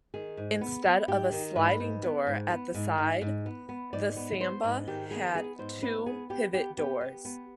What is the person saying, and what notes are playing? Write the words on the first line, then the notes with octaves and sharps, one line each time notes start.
Instead of a sliding door at the side the Samba had two pivot doors.
D#3 G#4
G#2
B3
B3
G#2 G4
D#3
G#2 B4
G#2
B3
G#2
B3
G#2
G#2
G#2
B3
B3
G#2 D5
B3
B3 C5
G#2
D#3 G4
B3 G#4
B3 G#4
G#2 C5
B3 B4
B3 G#4
B3 G4
B3 G4
B3 G4
B3
B3